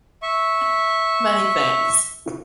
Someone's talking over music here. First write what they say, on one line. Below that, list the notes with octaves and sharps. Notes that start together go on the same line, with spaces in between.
Many thanks.
E5 C#6